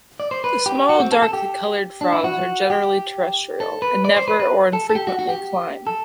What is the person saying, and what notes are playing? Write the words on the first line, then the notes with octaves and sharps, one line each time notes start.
The small, darkly coloured frogs are generally terrestrial, and never, or infrequently, climb.
D5
C5
B4
G4
F#4
C4
A4
A4
G4
D4
E4
F#4
G4
A4
B4
D5
C5
B4
B4
A4
A4
G4
F#4
F#4
G4
A4